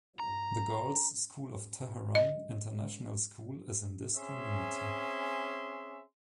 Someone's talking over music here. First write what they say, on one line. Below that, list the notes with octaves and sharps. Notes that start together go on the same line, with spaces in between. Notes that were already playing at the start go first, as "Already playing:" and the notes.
The girls' school of Tehran International School is in this community.
A#5
D#5
C4 C#4 G#4 E5 C6